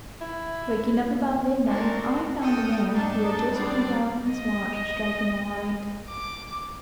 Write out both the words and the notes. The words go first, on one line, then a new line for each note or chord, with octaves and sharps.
Waking up about midnight, I found a man who had just come down from his watch, striking a light.
E4
C4 D4 F#4 A#4
F#4 A4 G5 D#6 F6
G#2 D4 D#4 A4 A5
G3 B3 C4 D4 D5
D#5
D6